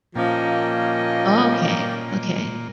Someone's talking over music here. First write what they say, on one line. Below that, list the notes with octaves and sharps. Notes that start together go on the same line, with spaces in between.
Oh, okay. Okay.
A#2 F3 A#3 C#4 D5 D#5 G5